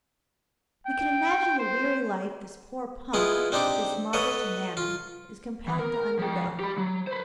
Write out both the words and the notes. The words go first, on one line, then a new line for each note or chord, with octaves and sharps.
We can imagine the weary life this poor Pump, this martyr to Mammon, is compelled to undergo.
G5
C5
G#3 B3 E4 F4
C4 D4 D#4 G4
A4 B4 C#5 D#5 F#5
F4
E3
A#4
F3 G5
G4 B5
F#3
B4 C5